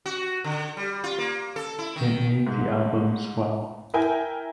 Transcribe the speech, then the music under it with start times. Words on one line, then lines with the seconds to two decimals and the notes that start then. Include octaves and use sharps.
It made the album swell.
0.06 F#4
0.44 D3
0.77 G3
1.04 F4
1.18 A#3
1.56 A4
1.79 E4
1.96 D#3
2.47 G#2
3.94 E4 A#4 G5 G#5